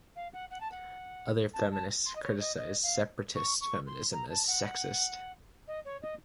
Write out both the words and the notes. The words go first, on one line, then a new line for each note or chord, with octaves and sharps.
Other feminists criticize separatist feminism as sexist.
F5
F#5
F#5
A5
F#5
A5
A5
C6
D#5
C#5
D#5
D#5
F5
C#6
C#6
C6
A#5
A5
F#5
D#5
C#5
D#5